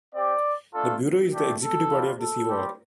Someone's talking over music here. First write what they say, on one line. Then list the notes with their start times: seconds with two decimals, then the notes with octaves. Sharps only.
The Bureau is the executive body of the CoR.
0.13 C4 G4 D5
0.72 A3 D4 F4 A4
1.31 A3 D4 G4
1.61 A4
1.89 G3 D4 F4
2.19 A4
2.48 G3 C4 G4